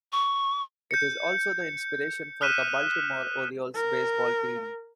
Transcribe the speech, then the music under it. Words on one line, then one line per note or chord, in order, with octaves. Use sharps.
It is also the inspiration for the Baltimore Orioles baseball team.
C#6
G6 C#7
D#6 F6 F#6 B6 D#7 E7
A#4